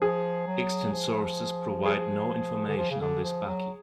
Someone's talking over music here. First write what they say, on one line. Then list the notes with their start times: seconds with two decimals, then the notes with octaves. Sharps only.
Extant sources provide no information on this Bakis.
0.01 F3 G#4
0.47 F#3
0.93 F3
1.86 G#4
2.67 D3
2.77 F3
2.91 C#3
3.01 D3
3.24 F3
3.47 F#3